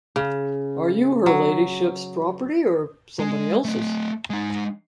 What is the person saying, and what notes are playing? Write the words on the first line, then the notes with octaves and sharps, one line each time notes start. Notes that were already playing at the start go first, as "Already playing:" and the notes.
Are you her ladyship's property, or somebody else's?
C#3
F#3
G#3
A3 D#5
G#3 D#4